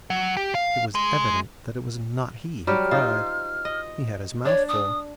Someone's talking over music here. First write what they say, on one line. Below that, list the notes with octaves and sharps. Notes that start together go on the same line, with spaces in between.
It was evident that it was not he who cried. He had his mouth full.
F#3
G4
F5
G#3
F#3 G3 G4 F6
D#4 F4 C5
D#5
D4 C#5
D#6